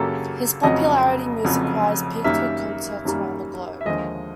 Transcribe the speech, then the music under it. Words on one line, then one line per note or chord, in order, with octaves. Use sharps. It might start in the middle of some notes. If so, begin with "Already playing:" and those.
His popularity, music wise, peaked with concerts around the globe.
Already playing: F#2 C#3 F#3 A#3 G4 A4
F1 F2 C#3 F#3 D#5
F1 F2 C#3 F#3
F#2 D#3 G3 A#3 E5
F#2 D#3 G3 A#3
E5
D#2 D3 F3 G#3 D#5